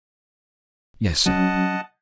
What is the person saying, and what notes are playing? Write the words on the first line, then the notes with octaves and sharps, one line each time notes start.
"Yes, sir."
F#3 C#4 D#5 F#5 A5